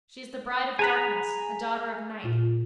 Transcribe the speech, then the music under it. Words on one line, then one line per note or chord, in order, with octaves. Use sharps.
She is the bride of darkness, a daughter of night.
G#4 G#5 A#5 B5 F#6
A#2 F4